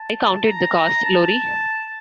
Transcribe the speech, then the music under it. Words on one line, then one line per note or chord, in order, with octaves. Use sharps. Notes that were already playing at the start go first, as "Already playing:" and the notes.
I counted the cost, Lori.
Already playing: A5
A#5
A5